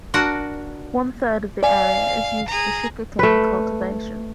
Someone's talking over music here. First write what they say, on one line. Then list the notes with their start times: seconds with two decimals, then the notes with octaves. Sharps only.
One third of the area is used for sugar cane cultivation.
0.14 D4 F#4 A#4 F#5
1.63 D5 F5 G#5
2.47 G#4 A#5
3.19 A3 B4